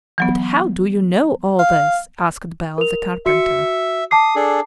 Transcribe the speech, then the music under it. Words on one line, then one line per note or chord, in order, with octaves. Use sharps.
"But how do you know all this?" asked Bell, the carpenter.
E3 F#3 B3
F5
A#4 F7
F#4 E5 C#7
A5 D6 D#6 C7
D4 G#4 A4